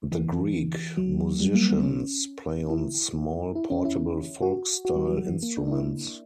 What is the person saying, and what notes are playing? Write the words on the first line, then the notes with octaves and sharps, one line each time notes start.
The Greek musicians play on small portable folk style instruments.
E3
F#3
G3
A#3
B3
C#4
E4
E4
C#4
E4
F#4
F#4
G3
F#3
F#3
E3
A#3
D4
D4
E4